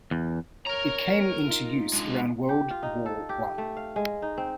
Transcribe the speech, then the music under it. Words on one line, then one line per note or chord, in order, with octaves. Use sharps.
It came into use around World War One.
E2
A#4 C#5 A#5
D#4 F4
G#3 D4
G4
F4
D#4
A4
G4
A3
F5
G#3
D#4
C4